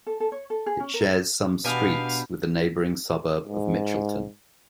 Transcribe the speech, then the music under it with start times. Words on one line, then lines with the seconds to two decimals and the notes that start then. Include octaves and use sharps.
It shares some streets with the neighbouring suburb of Mitchelton.
0.07 A4
0.20 A4
0.32 C#5
0.50 A4
0.66 G#4
0.80 C#4
0.94 A#4
1.65 B2 B3 D4 G4 F5 G#5
3.47 G#2